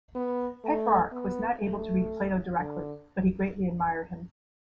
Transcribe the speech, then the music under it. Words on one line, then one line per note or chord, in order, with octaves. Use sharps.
Petrarch was not able to read Plato directly, but he greatly admired him.
B3
A3
B3
A3
D3